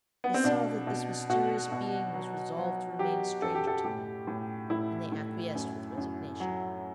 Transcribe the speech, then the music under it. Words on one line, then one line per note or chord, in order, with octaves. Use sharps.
They saw that this mysterious being was resolved to remain a stranger to them, and they acquiesced with resignation.
B3
C4
B2 D4
B2
B2 F#4
B2
F#3
F#3
F#3 G4
F#2 A4
G4
A4
A2 G4
A2
A2 E4
A2
F#2
F#2
F#3